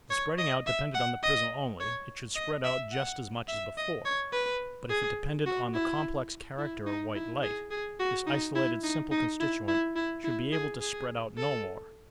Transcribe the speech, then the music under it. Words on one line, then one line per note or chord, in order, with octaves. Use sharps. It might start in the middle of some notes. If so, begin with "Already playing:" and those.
If the spreading out depended on the prism only it should spread out just as much as before, but if it depended on the complex character of white light, this isolated simple constituent should be able to spread out no more.
C#5
D#5
E5
F#5
D#5
C#5
D#5
E5
F#5
E5
D#5
C#5
B4
G#4
F#4
E4
E4
D#4
E4
G#4
G#4
F#4
D#4
E4
D#4
D#4
E4
E4
E4
E4
G#4
G#4
A4